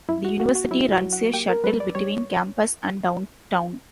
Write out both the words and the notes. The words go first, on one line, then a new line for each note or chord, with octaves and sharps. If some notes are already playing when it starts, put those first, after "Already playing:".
The university runs a shuttle between campus and downtown.
F#2 E4
F#4
A#3 F#4
F#4
F#3 E4
F#4
F#3
F#4
A#3 G4
A#4
G3 B4
D5
G3 C#5